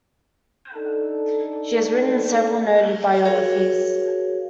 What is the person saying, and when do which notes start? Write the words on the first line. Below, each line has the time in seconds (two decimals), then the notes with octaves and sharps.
She has written several noted biographies.
0.75 D4 D#4 A4
3.25 F#4 G#4 A#4 C#5 F5